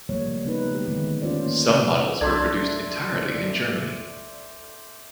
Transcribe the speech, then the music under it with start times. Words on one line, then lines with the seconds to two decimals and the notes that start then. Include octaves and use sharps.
Some models were produced entirely in Germany.
0.09 F3 G3 A3 A#3 C#5
0.46 B3 D#4 B4
0.71 G#3 G4
0.87 D3 D#3 A3
1.22 C#4 F4 C5 D5
1.44 A#3
2.21 C2 D4 A4 C5 D5 E5 G#6